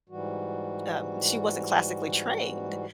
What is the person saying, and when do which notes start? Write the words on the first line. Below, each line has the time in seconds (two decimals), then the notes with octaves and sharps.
um she wasn't classically trained,
0.09 G#2 E3 G3 F#4